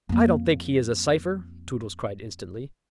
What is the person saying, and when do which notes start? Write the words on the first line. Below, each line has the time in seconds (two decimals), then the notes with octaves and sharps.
"I don't think he is a cypher," Tootles cried instantly.
0.09 F2 A#3